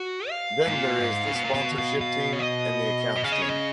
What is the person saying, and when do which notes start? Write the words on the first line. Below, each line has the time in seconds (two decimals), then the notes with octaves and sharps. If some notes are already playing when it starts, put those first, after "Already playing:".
Then there is the sponsorship team, and the accounts team.
Already playing: F#4
0.29 F5
0.67 G#2
0.70 A#2
0.99 G#2
1.26 C#3
1.36 B2
1.45 A#2
1.54 B2 F5
1.79 F5
2.01 F5
2.33 C#5
2.39 D#5
3.16 B2
3.24 C#3 F5
3.32 D#5
3.42 C#5
3.50 D#5